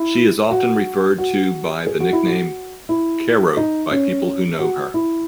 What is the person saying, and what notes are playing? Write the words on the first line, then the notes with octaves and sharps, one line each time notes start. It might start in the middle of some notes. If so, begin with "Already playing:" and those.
She is often referred to by the nickname 'Carro' by people who know her.
Already playing: E4
F#4
F#4
G#4
F#4
E4
F#4
E4
D#4
C#4
F#4
E4